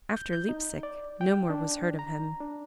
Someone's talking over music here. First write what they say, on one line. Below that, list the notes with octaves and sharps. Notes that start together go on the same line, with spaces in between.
After Leipsic no more was heard of him.
G6
G6
D#4
D5
G5
D4
A#5
D4